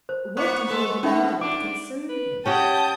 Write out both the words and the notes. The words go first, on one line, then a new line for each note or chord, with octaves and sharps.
What does your demand concern him?
C5
G#2 A#3 B3 C5 C#6
G#3 A4 B4
B2 B3 C#4 D#4 E5
G#2 D4 D6 D7
B4
C#4 F#4 G4 G5 A5 D#6 G6